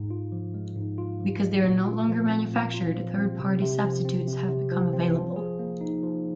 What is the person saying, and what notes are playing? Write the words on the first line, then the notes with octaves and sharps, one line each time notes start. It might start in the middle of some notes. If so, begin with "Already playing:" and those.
Because they are no longer manufactured, third-party substitutes have become available.
Already playing: G#2
F4
F3
G#3
G#2
F4
F3
G#3
A#2
F4
F3
C4
A#2
F4
F3
C4
C3
C3
F3
C4
C3
C3
F3
C4
F3
G#4
A#3
D#4
F3